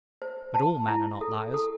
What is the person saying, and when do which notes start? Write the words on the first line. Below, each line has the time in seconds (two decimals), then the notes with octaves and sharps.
But all men are not liars.
0.22 C5
0.54 A5
0.88 E4
1.21 A4
1.54 A4